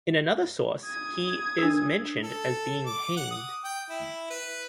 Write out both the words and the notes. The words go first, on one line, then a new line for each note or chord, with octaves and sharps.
In another source he is mentioned as being hanged.
D#6 G#6
D4 A#4
A4
D6
F#5
D#6
G5
E4
B4